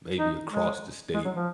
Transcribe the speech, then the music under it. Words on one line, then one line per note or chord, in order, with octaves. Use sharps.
maybe across the state.
D#4
G#3
G#3
F#3
F3